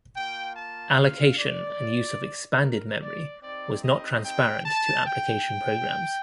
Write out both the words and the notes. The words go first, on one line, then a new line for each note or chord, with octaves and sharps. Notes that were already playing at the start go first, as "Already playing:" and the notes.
Allocation and use of expanded memory was not transparent to application programs.
A#3 F4 G5
A5
F5
D5
A#4
D5
C4 D#4 G4 D5
D#5
G5
A5
G5